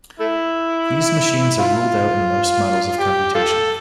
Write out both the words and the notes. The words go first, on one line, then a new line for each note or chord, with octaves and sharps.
These machines are ruled out in most models of computation.
A3 E4
F4
G4
F4 A4